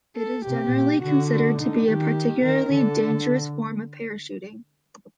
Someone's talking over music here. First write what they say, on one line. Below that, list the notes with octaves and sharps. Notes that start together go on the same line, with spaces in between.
It is generally considered to be a particularly dangerous form of parachuting.
A4
C3 G4
A#2
D3 F#4
F#4
D3 D#4
D#3 G4
D#3 A#4
D3 A4